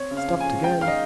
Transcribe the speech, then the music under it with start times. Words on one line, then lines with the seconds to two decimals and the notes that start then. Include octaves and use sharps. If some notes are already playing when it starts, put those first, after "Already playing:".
Stopped again.
Already playing: C4 C#5
0.11 C#3
0.17 F5
0.28 F3
0.40 G#5
0.45 C#3
0.63 G#3 G5
0.81 D#3 F5
0.88 D#5